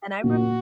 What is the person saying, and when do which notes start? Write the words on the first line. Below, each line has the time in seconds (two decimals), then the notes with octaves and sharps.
And I remem
0.23 A#2 F#4